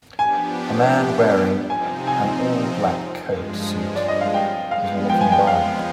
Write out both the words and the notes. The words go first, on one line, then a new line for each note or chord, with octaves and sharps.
A man wearing an all black coat suit is walking by.
F3 B3 D4 G4 G#5
C3 F3 C4 D#4 G#5
G#5
G2 F3 G#3
D5
D#5
F5
G5
F3 G#3 B3 F5
G5
G#5
G5
F5